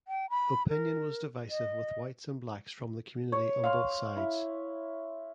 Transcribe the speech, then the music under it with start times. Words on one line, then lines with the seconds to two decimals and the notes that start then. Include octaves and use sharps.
Opinion was divisive with whites and blacks from the community on both sides.
0.08 G5
0.30 B5
0.69 A#4
1.50 D#5
3.32 C#5
3.64 F5 C6
4.17 E4